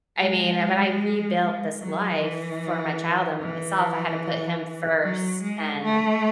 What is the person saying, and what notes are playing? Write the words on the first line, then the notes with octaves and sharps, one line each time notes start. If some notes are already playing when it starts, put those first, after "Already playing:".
I mean, eh but I rebuilt this life, for my child and myself, I had to put him first, and,
G#3
F#3
E3
E3
F#3
G#3
A3